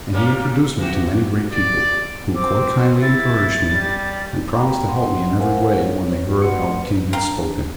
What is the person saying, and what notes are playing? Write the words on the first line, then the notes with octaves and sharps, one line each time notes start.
And he introduced me to many great people, who quite kindly encouraged me, and promised to help me in every way when they heard how the King had spoken.
G3 A#3 C#4
E3 F#4 G4
D5
C4 D6
E4 A6
G3
F5 G5 A#5 B5
F#5 C6
A#4 C5 F5 F#5 G#5
C#5
F#4
A3 B4 D5 F#5 C6 C#7
D4 A#4 F5 G5